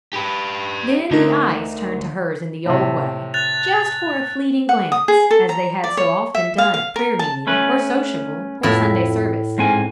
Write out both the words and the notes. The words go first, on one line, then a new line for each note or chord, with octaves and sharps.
Then the eyes turned to hers in the old way, just for a fleeting glance, as they had so often done at prayer-meeting, or sociable, or Sunday service.
G4 B4
D2 D3 D#4 A#4
A2 C3
F#6 A6 F7
F#5
D#6
G#4
A4
A#5
D5
C#5
E5
F5
F5
A#4
A5
A3 C#4 B4
F2 A2 E4
G#2 C4 G#5